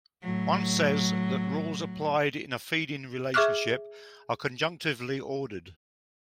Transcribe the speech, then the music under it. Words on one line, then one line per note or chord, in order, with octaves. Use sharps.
One says that rules applied in a feeding relationship are "conjunctively ordered".
A2 F#3
G#4 E5 C#6 D6 F6 F#6